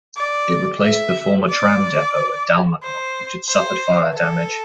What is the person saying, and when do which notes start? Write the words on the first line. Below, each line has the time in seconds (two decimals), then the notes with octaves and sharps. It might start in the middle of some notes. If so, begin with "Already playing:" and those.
It replaced the former tram depot at Dalmarnock which had suffered fire damage.
0.17 D5
0.83 E5
1.50 D5
2.83 C5
3.49 C5
4.15 A4